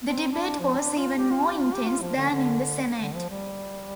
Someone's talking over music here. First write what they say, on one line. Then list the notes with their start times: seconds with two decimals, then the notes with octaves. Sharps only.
The debate was even more intense than in the Senate.
0.03 C4
0.32 D4
0.59 F3
0.78 D4
0.98 F4
1.17 G4
1.31 F4
1.45 G4
1.60 F4
1.74 G4
1.87 F4
2.01 F3
2.16 D3
2.30 D3
3.01 D3
3.15 F3
3.29 G3